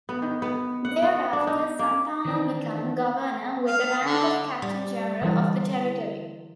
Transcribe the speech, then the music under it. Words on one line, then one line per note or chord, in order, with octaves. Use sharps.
Thereafter, Santana became governor, with the rank of Captain General of the territory.
B3
D#3
B3
F#5
B3
D4
D#4
A#3
D#3 E3 C4 D4
F5
D3
G3
D3 E3 G3 E4